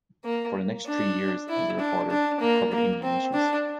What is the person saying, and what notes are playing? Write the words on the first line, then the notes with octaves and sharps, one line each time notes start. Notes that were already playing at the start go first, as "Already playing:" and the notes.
For the next three years as a reporter, he covered Indian issues.
A#3
D4
E4
D4
D4
A#3
A#3
C4
D4